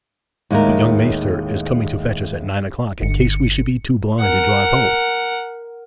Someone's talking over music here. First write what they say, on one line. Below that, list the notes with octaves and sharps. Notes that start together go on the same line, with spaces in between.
But young maister is coming to fetch us at nine o'clock, in case we should be too blind to drive home.'
D#2 A2 G#3 E4 A#4
G1 D3 C#7
A#4 F#5